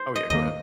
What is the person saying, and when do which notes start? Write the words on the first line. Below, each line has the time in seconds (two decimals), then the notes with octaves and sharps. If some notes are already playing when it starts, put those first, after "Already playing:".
oh, yeah, go ahead.
Already playing: C5
0.16 D#5
0.30 D#2 D#3 G3 A#3 D#5